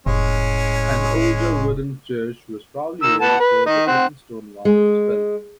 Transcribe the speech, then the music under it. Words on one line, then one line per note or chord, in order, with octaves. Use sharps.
An older wooden church was probably here before the present stone one was built.
F1 A2 G#3 C#4
D#3 A#4 E6
B3 F#5 A5
B4
D#3 D#4
C4 F#5
G#3